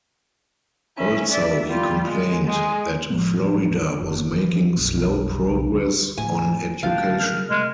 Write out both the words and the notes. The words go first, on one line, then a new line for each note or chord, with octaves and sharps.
Also, he complained that Florida was making slow progress on education.
C#4 E5
D5 E5
G3 F4
G#3
G#3 G#4
A1 F3 G#3 B3
F#1
E3 F3
F1 B1 F#2
B1 C#3
D2 D4
D1 A2 F3 G#5
A1 D3 B4 F5 G5 A5
C#3 A#4 F6
C3 G#3 A3